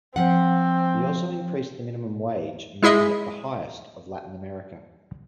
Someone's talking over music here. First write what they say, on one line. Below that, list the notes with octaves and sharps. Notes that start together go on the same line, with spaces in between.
He also increased the minimum wage, making it the highest of Latin America.
F3 C4 F#5
G#3 E4 G#4 D#5 E5